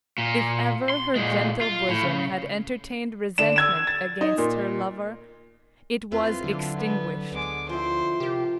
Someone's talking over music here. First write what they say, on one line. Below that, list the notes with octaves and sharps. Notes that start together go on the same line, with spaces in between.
If ever her gentle bosom had entertained resentment against her lover, it was extinguished.
A#2
C6
A#2 G#3
F4
A2
C#3
D3 D4 E7
E6 G#6 E7
A6
D#4
A#2
E2 C4 E4 F4 B4
D3 F#3
B3
D2 G#3 B3 D6
F3 E4 C5
C3 F4 G4 A#4